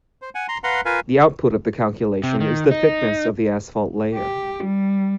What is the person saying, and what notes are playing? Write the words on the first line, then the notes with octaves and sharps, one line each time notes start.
The output of the calculation is the thickness of the asphalt layer.
C5
F#5 G#5
A#5 C6
B4 F5 F#5 A#5 C6
F4 A#4 B4 F5 G#5
C3
D#3
D#4
G4
G3